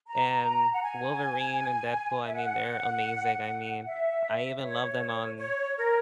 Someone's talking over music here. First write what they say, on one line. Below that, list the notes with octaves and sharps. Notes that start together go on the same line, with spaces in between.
and Wolverine and Deadpool, I mean, they're amazing. I mean, I even love them on
A#5
F#5
G#5
E5
F#5
E5
C#5
C#5
A#4